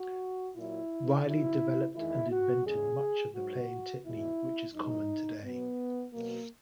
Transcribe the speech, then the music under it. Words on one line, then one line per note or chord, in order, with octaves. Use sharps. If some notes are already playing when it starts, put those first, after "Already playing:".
Reilly developed and invented much of the playing technique which is common today.
Already playing: F#4
A#2 F#3 E4
B2 F#3 E4
E2 D#3 G#3 E4
F#4
E2 C#3 G#3 G#4
G#2 F#3 F#4
E2 B2 G#3 E4
F#2 E3 G#3 D#4
B2 F#3 B3
B2 F#3 A#3